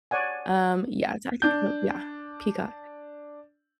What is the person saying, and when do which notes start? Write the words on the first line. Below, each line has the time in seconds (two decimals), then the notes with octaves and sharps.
um, yeah, I think so, yeah, Peacock,
0.11 C#5 D5 F#5 G#5
1.42 D4 G6